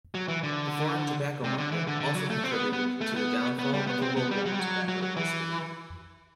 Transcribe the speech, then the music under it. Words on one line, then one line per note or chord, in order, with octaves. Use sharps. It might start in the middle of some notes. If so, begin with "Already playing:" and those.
The foreign tobacco market also contributed to the downfall of the local tobacco industry.
F#3
E3
D3
C3
D3
E3
D3
D3
F#3
A3
C4
B3
B3
A3
B3
B3
G3
B3
C4
B3
G3
F#3
G3
F#3
F#3
F#3
E3